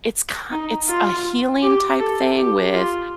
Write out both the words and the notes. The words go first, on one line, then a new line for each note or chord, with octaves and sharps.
it's ki it's a healing type thing with
D#4
F4
G4
A4
G4
F4